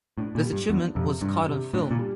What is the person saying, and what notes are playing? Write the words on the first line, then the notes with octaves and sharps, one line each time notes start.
This achievement was caught on film.
A2 D4
A#2
G3
G2
E2 D4
F2 C3
G2 D4
C3
A2 D4
A#2
G3